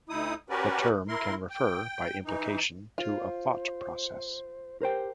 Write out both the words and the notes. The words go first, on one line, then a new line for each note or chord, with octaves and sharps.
The term can refer, by implication, to a thought process.
D2 D#4 E4 D#6
C#4 F#4 G4 A#4 B4 D5
E4 A#4 C6
G5
E3 D#4
F4 C5
G4 A#4 C5 G5